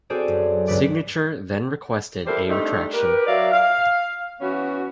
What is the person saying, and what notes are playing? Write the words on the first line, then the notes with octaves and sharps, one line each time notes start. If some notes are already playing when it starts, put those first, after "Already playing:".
Signature then requested a retraction.
C4 F#4 G#4 A4 C5 D5
F#2
C#2 G2 C#3 B4 D5
E3 G3 G4 A4 A#4 C5
G3 A3 C4 D4 D#4
G4 A#4 B4
F#3 A#4 D5 E5 F5
F5
E3 B3 C#4 F#4